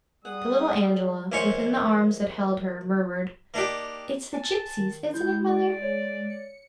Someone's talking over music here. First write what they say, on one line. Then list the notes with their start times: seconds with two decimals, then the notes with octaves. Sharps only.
The little Angela, within the arms that held her, murmured, "It's the gipsies, isn't it, mother?"
0.25 G3 G#4 F#5 D#6
1.32 A#1 D#2 C5 C#5 G#5 C#6
3.54 A#3 D4 D#4 G4
4.34 G#5 A5
4.78 D#3
5.14 G#3 E4 G6
5.48 D5
5.82 C#5
6.30 C#7